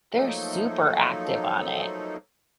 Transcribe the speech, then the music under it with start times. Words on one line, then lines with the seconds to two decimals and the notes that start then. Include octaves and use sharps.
they're super active on it
0.16 F3 F#3 A3 A#3 D#4 A4